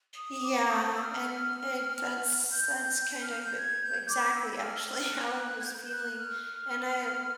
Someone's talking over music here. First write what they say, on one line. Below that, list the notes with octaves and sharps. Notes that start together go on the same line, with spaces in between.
Yeah, and it that's that's kind of e exactly actually how I was feeling. And I
D#6
D6
D#6
E6
F6
E6
F6
F6
G6
G6
G6
F6
G6
G#6
G6
D6
E6
F6
F#6
G#6
G6
F#6
F6